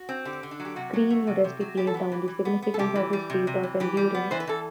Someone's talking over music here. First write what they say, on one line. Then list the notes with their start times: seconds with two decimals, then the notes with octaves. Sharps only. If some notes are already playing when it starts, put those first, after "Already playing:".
Crean modestly played down the significance of his feat of endurance.
Already playing: F#4
0.09 C4
0.25 D3 G4
0.43 D3
0.51 D4
0.60 F#3
0.65 G4
0.76 C3 F#4
0.93 F#3
1.10 A3
1.27 C3
1.44 C3
1.61 F#3
1.77 B3 G4
1.87 A4
1.94 B3 G4
2.12 E3
2.28 E3
2.45 B3
2.62 B3
2.74 A4
2.79 C3 G4
2.95 E3
3.13 G3
3.30 C3
3.47 C3
3.63 E3
3.80 E3 G4
3.97 G3
4.14 B3
4.31 E3 C5
4.40 B4
4.47 E3 A4